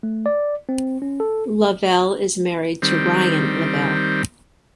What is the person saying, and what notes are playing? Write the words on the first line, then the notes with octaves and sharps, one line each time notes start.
Lavell is married to Ryan Lavell.
A3
D5
C4
C#4
A4
D#3 G3 C4